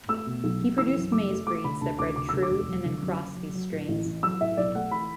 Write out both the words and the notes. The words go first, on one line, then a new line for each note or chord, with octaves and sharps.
He produced maize breeds that bred true and then crossed these strains.
A3 E6
B2
B1
B1
E3 E6
F#2
F#1 D6
A3
A3 D6
D3 B5
D2 A5
D2 D6
D3 D6
D2 E6
D6
E1
F#3
D3
F#2
F#1
F#3
F#3
A2
A1
A1
F#3 E6
A2 E5
B1 D5
A3 F#5
E3 B5